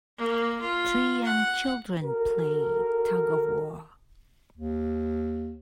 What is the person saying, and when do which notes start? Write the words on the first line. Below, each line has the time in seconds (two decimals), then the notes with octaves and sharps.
Three young children play tugofwar.
0.17 A#3
0.60 F4
1.24 F#5
2.02 F#4 A4 A#4
4.57 D#2